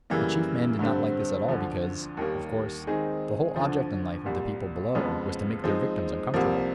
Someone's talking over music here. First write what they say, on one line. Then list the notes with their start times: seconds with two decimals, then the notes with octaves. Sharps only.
The Chief Man did not like this at all, because, of course, the whole object in life of the people Below was to make their victims uncomfortable.
0.10 F#2 C#3 E3 G3 A#3
0.79 G2 D3 G3 C4
1.49 D2 D3 F3
2.17 D#2 D#3 G3 A#3
2.87 D#3 G#3 C4 D#4 G#4
3.56 D2 D3 F3
4.26 C2 A#2 G3
4.95 F2 C#3 F3 G#3 B3
5.64 F3 G#3 C4 D#4
6.34 C2 C3 F3 A#3